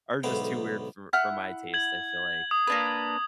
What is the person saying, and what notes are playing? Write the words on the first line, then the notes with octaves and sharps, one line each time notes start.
are just too weird for for my taste, I feel like
B1 G#2 D3 B3 E5 F5
E4 F#5 F6
G#6 F#7
D#6
A#3 D4 B4